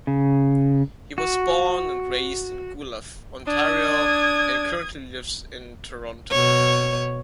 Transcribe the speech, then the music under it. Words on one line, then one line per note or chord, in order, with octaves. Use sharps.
He was born and raised in Guelph, Ontario, and currently lives in Toronto.
C#3
F#4
D4 D#6 G#6
B2 C#5